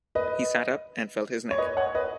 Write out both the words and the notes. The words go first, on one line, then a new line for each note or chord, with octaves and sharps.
He sat up and felt his neck.
B4 D#5
C#5
B4 D#5
C#5 F#5
B4 D#5